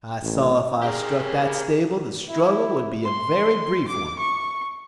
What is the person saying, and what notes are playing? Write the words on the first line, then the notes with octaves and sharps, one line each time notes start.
I saw if I struck that stable the struggle would be a very brief one.
A1
G4 G#4 A#4
E4
C6
D6
C#6